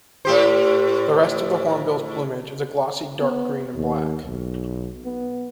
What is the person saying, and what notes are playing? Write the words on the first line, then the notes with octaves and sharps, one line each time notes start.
The rest of the hornbill's plumage is a glossy dark-green and black.
A2 G4 C5
B3
D#2
B1
B3